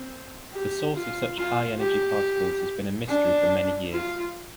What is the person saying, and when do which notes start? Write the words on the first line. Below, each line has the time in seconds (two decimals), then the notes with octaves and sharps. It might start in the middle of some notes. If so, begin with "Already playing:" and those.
The source of such high energy particles has been a mystery for many years.
Already playing: C4
0.53 G4
0.96 F4
1.38 F4
1.80 G4
3.08 D4
3.93 F4